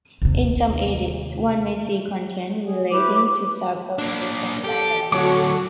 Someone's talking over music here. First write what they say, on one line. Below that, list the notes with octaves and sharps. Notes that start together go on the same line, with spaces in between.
In some edits, one may see content relating to several different fandoms.
D#2 C3
G#4
E4 G4 B4 D6
A#3 D4
G4 A4
D2 F#3 F#4 A4 C#5 D6